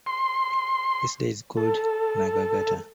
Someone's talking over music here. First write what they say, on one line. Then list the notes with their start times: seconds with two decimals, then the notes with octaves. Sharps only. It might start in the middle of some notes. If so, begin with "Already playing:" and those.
This day is called as "Nagagata".
0.06 C6
1.57 A4